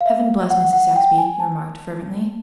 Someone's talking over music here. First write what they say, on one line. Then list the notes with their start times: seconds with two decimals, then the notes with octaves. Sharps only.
"Heaven bless Mrs. Saxby," he remarked fervently.
0.01 F5
0.06 E5
0.50 F#5
0.73 F#5
0.96 G5
1.18 G#5
1.40 A5